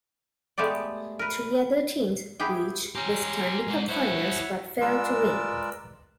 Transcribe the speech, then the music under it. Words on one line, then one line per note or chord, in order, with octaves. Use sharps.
Three other teams reached the Stanley Cup Finals, but failed to win.
G#3 A3 B3 G4 D5
A#4 B4
B3 E4 G4 G#4 G5
C#4 G4 C#5 A#5 C6
G#3 F#5
E4 C5 C#5 E5 F#5
G#3 F4 A#4 B4 D5 E6